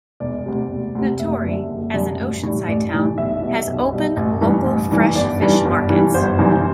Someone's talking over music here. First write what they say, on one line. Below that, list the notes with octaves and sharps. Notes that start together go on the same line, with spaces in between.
Natori, as an oceanside town, has open local fresh fish markets.
E1 D5
D2 C3
E1
D2 C3
F#1 E5
F#2 D3 G3
F#1
F#2 D3 G3
A1
A2 E3 G3
A1 D5
A2 E3 G3
B1 E5
B2 G3
B1
B2 G3
A1
G2 E3
A1
G2 E3
G1 D5
G2 E3 G3
G1
G2 E3 G3
G1 C5
F#2 E3 G3